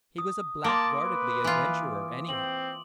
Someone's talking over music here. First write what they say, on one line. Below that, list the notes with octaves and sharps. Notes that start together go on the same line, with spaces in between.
He was a blackguardly adventurer, anyhow.
D#6
A#3 A5 C6 D6 D7
B4
E3 F4
C4 F#7